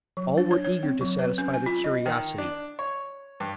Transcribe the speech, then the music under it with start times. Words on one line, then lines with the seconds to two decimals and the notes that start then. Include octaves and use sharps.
All were eager to satisfy their curiosity.
0.17 F#3
0.38 D4
0.51 C#5
0.64 C#5
0.83 C4
1.01 F#3
1.19 B4
1.38 C#4
1.54 G#5
1.66 F4
1.84 D#5
2.06 D#3
2.38 D4
2.79 C#5
3.40 G2